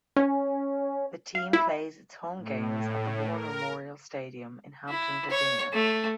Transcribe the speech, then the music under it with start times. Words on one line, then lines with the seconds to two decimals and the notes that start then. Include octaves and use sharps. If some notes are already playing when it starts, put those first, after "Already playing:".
The team plays its home games at the War Memorial Stadium in Hampton, Virginia.
0.16 C#4
1.35 F5
1.53 E4
2.39 A2
3.28 A#4
4.88 E4
5.30 C#5
5.72 A3